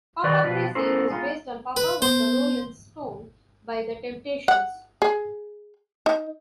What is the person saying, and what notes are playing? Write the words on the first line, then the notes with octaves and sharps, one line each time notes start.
"Papa Crazy" is based on "Papa Was a Rollin' Stone" by The Temptations.
D#3 F#4 B4 D5 D#5
B2 F3 F4 B4
B3 C#4 E4 A4 A#4 C5
G#3 B3 D#4 F4
B4
B3 C5
F#5
G#4
D#4